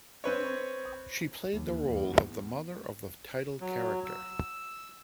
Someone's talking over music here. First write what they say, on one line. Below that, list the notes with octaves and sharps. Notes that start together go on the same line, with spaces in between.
She played the role of the mother of the title character.
C4 B4 C#5
D#2
E2
F#3
E6